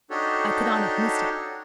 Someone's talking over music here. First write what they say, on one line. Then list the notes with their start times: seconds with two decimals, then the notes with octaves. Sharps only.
I could not have missed it.
0.10 D4 D#4 F#4 G4 A4 C#5